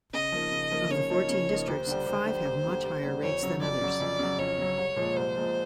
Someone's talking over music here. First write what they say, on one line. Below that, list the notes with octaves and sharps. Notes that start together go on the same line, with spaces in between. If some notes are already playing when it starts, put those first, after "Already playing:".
Of the fourteen districts, five have much higher rates than others.
C#3 D#5
F3 A#3 D#4
C#3
F3 A#3 D#4
C#3 C#5
F3 A#3 D#4
C#3
F3 A#3 D#4
D#2 C5
D3 G3
D#2
D3 G3
D#2
D3 G3
D#2
D3 G3
F2 C#5
C#3 F#3
F2 D5
C#3 F#3
F2
C#3 F#3
F2 C#5
C#3 F#3
C2
A#2 F3 G#3
C2 C5
A#2 F3 G#3